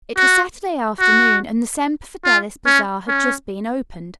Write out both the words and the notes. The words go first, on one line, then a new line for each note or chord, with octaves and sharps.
It was Saturday afternoon, and the Semper Fidelis bazaar had just been opened.
F#4
F#4
F4
C#4
C#4